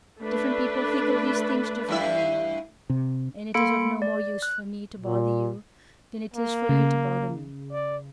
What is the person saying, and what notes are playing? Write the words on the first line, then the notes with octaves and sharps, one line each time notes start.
Different people think of these things differently, you know, and it is of no more use for me to bother you than it is for you to bother me.
A3 D4 B4
G2 E4 E5
C3
A#3 A4 B5 C6 C#7 D7
D5
F#6
A#2
A#3
C#3
D5